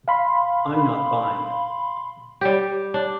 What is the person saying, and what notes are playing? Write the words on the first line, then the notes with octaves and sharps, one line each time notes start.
I'm not buying it.
F5 B5 C6
G3 G4
D4